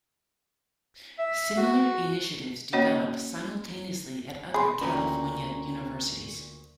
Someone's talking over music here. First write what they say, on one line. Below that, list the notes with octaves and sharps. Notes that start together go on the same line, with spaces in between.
Similar initiatives developed simultaneously at other California universities.
E5
F#4
A#3 C#4 F#4 C#5 D#5 F#5
G#4 B5 C6
D2 A#2 C#4 A#5